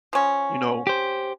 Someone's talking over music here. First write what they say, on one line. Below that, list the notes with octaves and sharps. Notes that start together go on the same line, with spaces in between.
You know,
F3 C#4
G4 C5